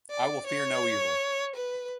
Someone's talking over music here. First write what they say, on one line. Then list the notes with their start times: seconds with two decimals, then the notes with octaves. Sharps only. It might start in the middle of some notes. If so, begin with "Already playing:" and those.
I will fear no evil.
0.11 D5
0.47 C#5
1.56 B4